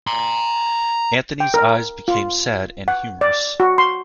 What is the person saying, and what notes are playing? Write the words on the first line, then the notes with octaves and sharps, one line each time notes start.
Anthony's eyes became sad and humorous.
A#5 C6
G5
A#4
F4
F#5
D5
F#4
C6